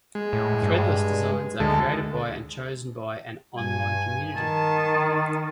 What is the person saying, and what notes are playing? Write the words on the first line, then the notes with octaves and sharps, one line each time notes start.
Threadless designs are created by and chosen by an online community.
G#3
A2
G2
D2 G#3 A4
G2 G#5
D#3 A5